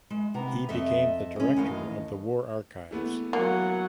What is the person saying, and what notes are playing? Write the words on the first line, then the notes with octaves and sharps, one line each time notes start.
He became director of the war archives.
G#3
C3 B3 A#5
F2 A4 D#5 E5
G#3 C#4
D#2 E3 A3 D#5 F5
E3 A3 B3
F#3 A#3 F#5